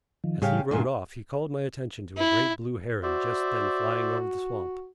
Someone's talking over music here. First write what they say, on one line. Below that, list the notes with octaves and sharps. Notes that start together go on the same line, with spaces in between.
As he rode off he called my attention to a great blue heron just then flying over the swamp.
D#3 F3
A2 C#3 G3 G4 F5
E2 G2 A#2 D3
E4
F#4 C5 D5 E5